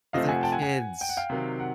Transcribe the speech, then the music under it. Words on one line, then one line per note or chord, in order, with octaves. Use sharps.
But they're kids.
C3 F3 A3 C4 D#5 F5
F#5 G#5
G5 A5
F#5 G#5
F#5 G#5
G5
F#5
F5 G5
C3 D#3 F#3
F#5